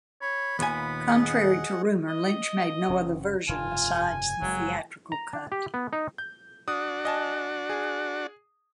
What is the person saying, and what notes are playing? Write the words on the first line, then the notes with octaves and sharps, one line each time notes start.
Contrary to rumor, Lynch made no other version besides the theatrical cut.
C#5 B5
D#2 A#2 B3 G#5
G#4 D#5 F#5
D#5
F#1 C3 C#4
F1 G2 C#3 F4 G#5
F#1 F#3 G#3
A#5
D4
G4
B3
D#4
G6
D4 F#4 D#6
D#5 G#5 A5
G#4